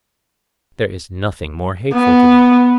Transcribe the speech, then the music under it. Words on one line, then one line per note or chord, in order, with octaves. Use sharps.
There is nothing more hateful to them.
B3